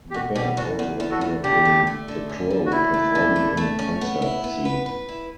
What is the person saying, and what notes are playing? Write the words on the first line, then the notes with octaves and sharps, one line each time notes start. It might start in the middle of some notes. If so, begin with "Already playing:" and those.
The band also appeared in "The Crow" performing in a concert scene.
G4
B2 F#4
B2 G4
E2 F#4
E2
E2
F#4 A4
E2
D3 G4
A3
A3
D3
C#4
D3
F#4
A3 E4
A3
D3
A3
A3
C#4
B3
E4
B3
B4
B4
E4